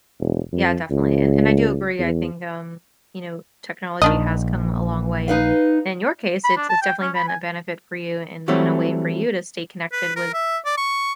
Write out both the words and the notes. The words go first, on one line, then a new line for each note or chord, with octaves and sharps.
Yeah, definitely, and and I do agree I think, um, you know, technology has come a long way, and in your case, it's it's definitely been a benefit for you in in a way for you to stay connected with,
E1
F2
C#2
E2
A#1 D#3 D4 D#5
D#4 B4 F5
B5
D4
A5
G5
C#4
B5
G#5
E3 F#3 G3 A3 C4
B4
A#4
E5
D5
C#6